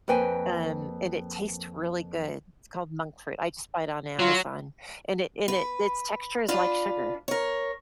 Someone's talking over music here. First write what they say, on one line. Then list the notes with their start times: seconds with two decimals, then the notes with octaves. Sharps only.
Um, and it tastes really good. It's called monk fruit; I just buy it on Amazon, and it and it its texture is like sugar.
0.08 F2 A#3 B4 G5 G#5
4.19 F#3 F4
5.48 B4
6.48 D4 F4 B4
7.28 A#4 C#5